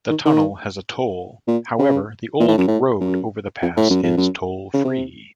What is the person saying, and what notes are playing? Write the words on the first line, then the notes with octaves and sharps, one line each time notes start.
The tunnel has a toll; however, the old road over the pass is toll-free.
D#3
D#3
A#2
C#3
A#2
A2
F#2
A2
F#2
F2
A2
F#2
F2
F#2
C#3
C3